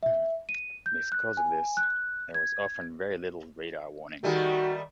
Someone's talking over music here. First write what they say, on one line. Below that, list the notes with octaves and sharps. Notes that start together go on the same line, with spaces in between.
Because of this there was often very little radar warning.
E5
D#7
G6
F#6
G#5
F#6
G#6
D#3 G3 A3 F#4